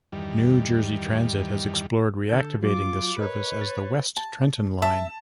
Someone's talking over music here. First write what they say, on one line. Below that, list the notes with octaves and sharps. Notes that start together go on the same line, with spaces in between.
New Jersey Transit has explored reactivating this service as the West Trenton Line.
E2 G2 D#3 G3
D3 A4 G6
F#3 F4 D6
A#4 B4 C#5 D#5
A6
A5
E5 A5